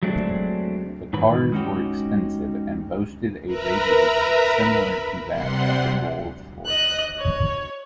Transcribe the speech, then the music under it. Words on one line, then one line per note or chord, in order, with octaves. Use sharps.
The cars were expensive and boasted a radiator similar to that of the Rolls-Royce.
F#3 G#3 A3 C4 D4
G#2 D#3 E3 B4
G#3 C#4 D#4 F#4 G4
A#4 B4 E5 A#5 B5
C3 G3 F#5 C6
D#5 F#6
C#5